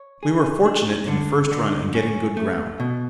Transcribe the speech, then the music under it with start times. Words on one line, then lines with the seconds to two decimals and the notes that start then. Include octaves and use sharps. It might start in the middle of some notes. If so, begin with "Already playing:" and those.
We were fortunate in the first run in getting good ground.
Already playing: C#5
0.23 G#4
0.66 D4
1.08 D3
1.51 D3
1.94 C#4
2.37 A3
2.80 B2